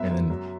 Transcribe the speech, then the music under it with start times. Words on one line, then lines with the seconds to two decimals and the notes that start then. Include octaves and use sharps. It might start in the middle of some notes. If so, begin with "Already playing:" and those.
and then
Already playing: F#2 B3 E5
0.10 F#2
0.30 F#3